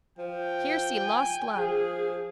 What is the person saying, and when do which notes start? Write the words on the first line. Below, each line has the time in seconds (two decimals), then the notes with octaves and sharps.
Here see lost love.
0.18 F3 G5
1.02 G#5
1.56 F3 G#4